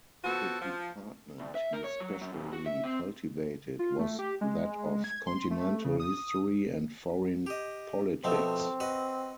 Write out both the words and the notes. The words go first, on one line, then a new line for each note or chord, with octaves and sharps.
The department he specially cultivated was that of continental history and foreign politics.
F3 B3 F#4 A4
F3
D2
E5
A#4
C#5
F#3
F#2
B1
F#4
E5
C4
F4
A3
G4
G#3
G#6
C6
A3
C#3
D#6
G4 D#5
B2 F3 A3 C4
F#4 B4 D#5